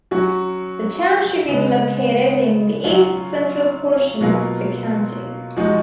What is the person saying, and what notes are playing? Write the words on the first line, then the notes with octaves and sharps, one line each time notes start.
The township is located in the east central portion of the county.
F#3 C#4 F#4
C#3 G#3 B3
F#3 C#4 F4
B2 F#3 A#3 F4
F3 G#3 D#4 F#4